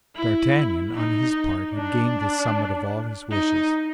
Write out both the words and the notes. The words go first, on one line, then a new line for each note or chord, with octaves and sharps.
D'Artagnan, on his part, had gained the summit of all his wishes.
E4
D#4
D4
D#4